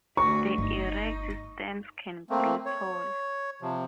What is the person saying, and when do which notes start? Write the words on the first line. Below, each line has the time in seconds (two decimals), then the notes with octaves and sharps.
The erect stems can grow tall.
0.17 D2 F#4 C#6
0.58 G1 D#4
2.30 A3 A#3 C4
2.66 C#5
3.62 C3 F3